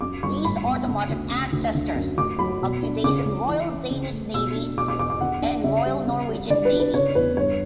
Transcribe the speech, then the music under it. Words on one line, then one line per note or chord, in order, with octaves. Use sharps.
These are the modern ancestors of today's Royal Danish Navy and Royal Norwegian Navy.
F#2 D6
G1 C#6
A2 B5
B3
C#3
D2
C#3
D2
D3
F#2
D2 D6
F#3 B5
B2
D4
C#3 D6
C#2
E3
C#4
C#3
A3
B2 E6
D4
B2 D6
D6
E2 D6
D6
D3 F#5
D4
C#3 E5
G3
C#3
G3
D3 D5
B4
D4
B4
C#3 C#5
E2 B4
G2 C#5